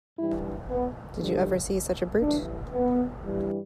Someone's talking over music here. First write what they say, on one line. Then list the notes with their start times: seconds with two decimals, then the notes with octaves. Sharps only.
Did you ever see such a brute?
0.18 G2 E3 G3 E4
0.69 B3
1.19 G2 D3 G3
2.21 A2 E3 G3 D4
2.72 B3
3.22 G2 E3 G3